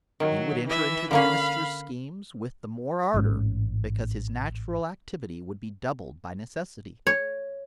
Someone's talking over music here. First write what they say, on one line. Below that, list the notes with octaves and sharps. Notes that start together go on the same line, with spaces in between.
He would enter into the minister's schemes with the more ardor, because his natural activity would be doubled by necessity.
D#3 F#3
E3 E5
D3 A#3 C#4 F5 B5
A1 G#2 C#4
C#5